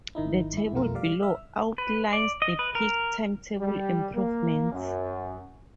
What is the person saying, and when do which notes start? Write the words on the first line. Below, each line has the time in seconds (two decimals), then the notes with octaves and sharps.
The table below outlines the peak timetable improvements.
0.15 G#1 D#3 D#4 E4
0.53 G2 E4
0.73 B1 F2 B2 A3 F4 A#4
0.95 G3 D5 F5
1.22 E5 E6 F6
1.78 B4
2.13 D5
2.42 D#5
2.59 B4
2.75 A#4
3.60 G3
4.15 A#3
4.72 F#2